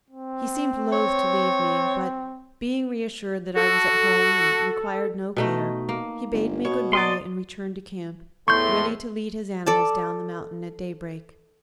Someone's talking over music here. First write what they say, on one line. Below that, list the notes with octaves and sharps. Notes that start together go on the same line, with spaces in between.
He seemed loath to leave me, but, being reassured that I was at home and required no care, he bade me good-bye and returned to camp, ready to lead his animals down the mountain at daybreak.
C4
C#5
F#4 A4
B2 A3 D#4
A#3
G1
B2 C#5
D5 D#5 C6
E2 A2 A3 C6 C#6 G6
A4 D5 A5